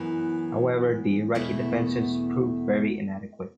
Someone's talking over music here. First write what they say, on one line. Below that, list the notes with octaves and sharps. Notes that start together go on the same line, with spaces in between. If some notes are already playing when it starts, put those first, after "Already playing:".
However, the Iraqi defenses proved very inadequate.
Already playing: F#2 E3 B3
E2 B2 A3 E4